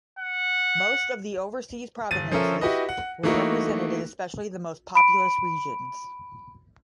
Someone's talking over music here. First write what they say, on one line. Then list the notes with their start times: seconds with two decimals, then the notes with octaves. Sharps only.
Most of the overseas provinces were represented, especially the most populous regions.
0.19 F#5
2.11 G1 A6 D#7
2.31 F3 C#4 A4 A#4 E5
2.61 E4 F#4 G4 B4 D#5
2.89 F#5
3.23 E3 A3 A#3 D#4 F#4
4.95 B5 D7